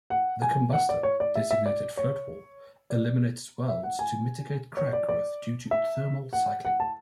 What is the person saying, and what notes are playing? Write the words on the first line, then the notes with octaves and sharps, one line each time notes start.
The combustor, designated Floatwall, eliminates welds to mitigate crack growth due to thermal cycling.
F#5
G#5
F#5
D5
C#5
D5
E5
E5
D5
C#5
D5
E5
F#5
G#5
C#5
D5
D5
E5
F#5
F#5
A5